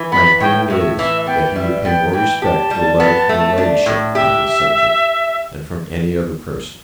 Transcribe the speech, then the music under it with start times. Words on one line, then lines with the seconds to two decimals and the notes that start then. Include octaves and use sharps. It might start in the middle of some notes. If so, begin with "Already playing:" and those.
My opinion is, that he would pay more respect to a letter from your Ladyship upon this subject, than from any other person.
Already playing: E3
0.12 B3 B5
0.40 A2 G5
0.70 A2 E5
0.98 E3 E5
1.27 B3 G5
1.56 G3 E5
1.85 B3 G5
2.13 E3 G5
2.42 G4 A5
2.71 G3
3.00 B3
3.29 A3
3.58 D4
3.86 A2
4.15 G4 E5